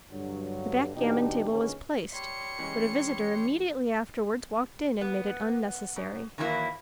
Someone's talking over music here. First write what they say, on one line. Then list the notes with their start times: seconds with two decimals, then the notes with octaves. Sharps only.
The backgammon-table was placed; but a visitor immediately afterwards walked in and made it unnecessary.
0.12 G2 D3 F#3
0.96 B2 E3 D4 D#4 G4
1.49 A#2 D3 D#3 B3 C#4 G#4
2.13 G3 C#5 C6 C#7
2.58 E3 G#3 C#4
5.01 B3
5.96 F#2
6.38 D#3 E3 F#3 A#3 E4